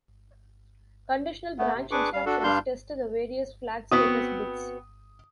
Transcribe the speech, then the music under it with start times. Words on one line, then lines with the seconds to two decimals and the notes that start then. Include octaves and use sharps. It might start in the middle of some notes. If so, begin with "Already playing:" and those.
Conditional-branch instructions test the various flag status bits.
1.59 A3 B3
1.74 C3
1.91 D4 G#4 B4 C#6 D6
2.13 G3 F5
2.26 D4 F#4 A4
2.44 G2 G3 D4 F5 C6 G6
3.91 B3 C4 F#4 D#6